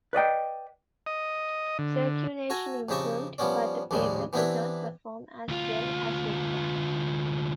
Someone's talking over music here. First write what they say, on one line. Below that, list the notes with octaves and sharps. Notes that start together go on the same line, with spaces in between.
Circulation improved, but the paper did not perform as well as required.
B4 D5 D#5 G5
D#5
D3
F#4 A4 G#5 A#5
F2 C#3 D#4 G4 A5 C#6
F3 G3 B3 C#4 D5
A#1 D#2 A2 G3 G#3
E3 B3 C4 D4 E4 G4
D2 F4